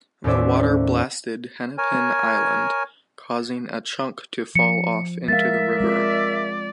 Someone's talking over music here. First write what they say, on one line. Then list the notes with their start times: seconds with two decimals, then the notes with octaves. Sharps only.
The water blasted Hennepin Island, causing a chunk to fall off into the river.
0.24 D#2 A2 C#4 C5 D5 E5
1.78 A#4 C#5 G#5
4.55 F3 C#7
5.28 G#3 A#4 E5 F5 A6
5.80 G#3 C4 F4 D5